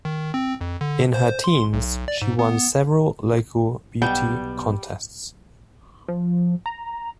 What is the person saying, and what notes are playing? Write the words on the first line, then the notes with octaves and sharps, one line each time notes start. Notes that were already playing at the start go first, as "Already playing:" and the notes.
In her teens, she won several local beauty contests.
D#3
C4
F2
D3
C5
C6
B1
D5
G#2
B3
B1 G3 B3 G5
F3
A#5